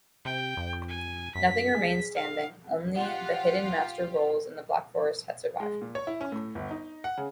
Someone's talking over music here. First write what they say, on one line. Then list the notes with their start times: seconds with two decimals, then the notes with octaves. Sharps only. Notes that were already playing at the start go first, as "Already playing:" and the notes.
Nothing remained standing; only the hidden master rolls in the Black Forest had survived.
0.25 C3 G5
0.57 F2
0.89 G#5
1.35 F#2 B6
1.75 G#4
2.16 F5
2.96 F4 G4 F5 F#5
5.60 G#3
5.82 A#2
5.95 C#5
6.07 E4
6.21 C#4
6.32 A2
6.55 G1
6.71 D#4
7.04 F#5
7.17 C#3